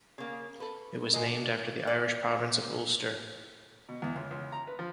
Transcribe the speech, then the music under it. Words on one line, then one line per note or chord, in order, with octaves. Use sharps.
It was named after the Irish province of Ulster.
C#3 A#3
A4 B4
G#3 F#4 A#4 D#5
D4
D5
B2
E2
C#2
C#2
A#5
B4
F3